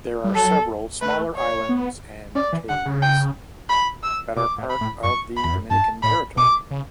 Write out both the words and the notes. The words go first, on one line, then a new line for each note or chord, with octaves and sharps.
There are several smaller islands and cays that are part of the Dominican territory.
G3
F#3 A4
A3 B4
C#5
B3
C#4 D5
E3
D3 F#5
C#3
G5
B5
E6
B2 D6
A2
B5
A2
F#2 C#6
B5
E2
F#2
G2 A5
A2 B5
B2 D6
C#3